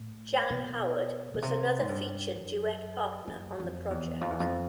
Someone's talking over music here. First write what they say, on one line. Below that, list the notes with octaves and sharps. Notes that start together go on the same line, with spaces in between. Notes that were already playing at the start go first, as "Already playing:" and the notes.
Jan Howard was another featured duet partner on the project.
Already playing: A2
B2
B2
C3
G#2
G2
F#2
F#2
F2
E2
F2
E2
F2